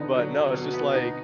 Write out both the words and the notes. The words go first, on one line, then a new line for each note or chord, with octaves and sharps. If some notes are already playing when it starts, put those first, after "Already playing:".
But, no, it's just, like,
Already playing: D3 B3 D#4
F#3
F#3
B2
B3
D#4